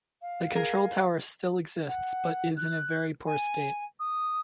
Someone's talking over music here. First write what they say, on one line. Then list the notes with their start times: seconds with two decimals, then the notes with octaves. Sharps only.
The control tower still exists, but is in a very poor state.
0.22 F5
0.55 G#4 A#4
1.88 F#5
2.56 F#6
3.26 G#5
3.99 D#6